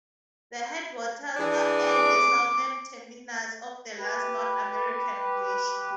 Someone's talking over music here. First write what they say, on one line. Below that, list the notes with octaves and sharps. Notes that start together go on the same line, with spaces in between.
The headwaters are at the southern terminus of the last North American glacier.
E3 D4 G#4
D6
G4 B4